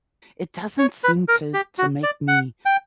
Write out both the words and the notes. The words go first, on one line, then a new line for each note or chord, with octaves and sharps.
it doesn't seem to to make me
C#5
B4
A#4
G4
F#4
D5
F#5
G5